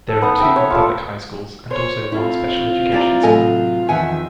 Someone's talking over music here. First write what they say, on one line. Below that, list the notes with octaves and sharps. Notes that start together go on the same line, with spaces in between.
There are two public high schools, and also one special education school.
A4
B3 D#4 D#6
E5 G5
C#5
F4 A4
C5 C#5
C4 E4 F4 A4
G3 E4 D5 G5 A#5
A2 C3 F#3 A4 D#5 G#5
E2 D#3 F3 E5 F#5 G#5